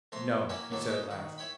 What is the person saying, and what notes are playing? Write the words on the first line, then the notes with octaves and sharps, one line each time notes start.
'No,' he said at last.
F2 A3 A#5 C6
A#3 C#4 E4 F#4 G5 G#5
D#2 A#2 F#3 A4 C#6
C#4 D#5 E5
D#3 F#4
E4 C#5 G5 B5